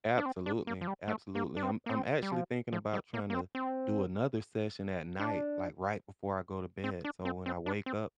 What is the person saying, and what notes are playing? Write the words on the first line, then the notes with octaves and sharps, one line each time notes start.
Absolutely, absolutely. I'm I'm actually thinking about trying to do another session at night, like, right before I go to bed so when I wake up,
D4
C4
D4
A#3
F3
G3
A3
A#3
D4
C4
A#3
C4
G3
F3
F3
G3
A#3
A#3
C4
C4
D4
C4
D4
C4
C4
D4
C4